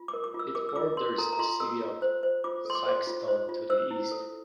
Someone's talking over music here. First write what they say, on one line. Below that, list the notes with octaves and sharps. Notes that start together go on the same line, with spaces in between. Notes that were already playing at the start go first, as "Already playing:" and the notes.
It borders the city of Sikeston to the east.
Already playing: F4
D6
A#4
D6
F4
E6
A#4 D6
E6
F4 D6
A#4 C6
A4 A#5
A#5
F4 C6
A4 E6
F4
C5
C5
F4 D6
A4 C6
D6
C5
F4
C5
F4
C5 E6
E4
A4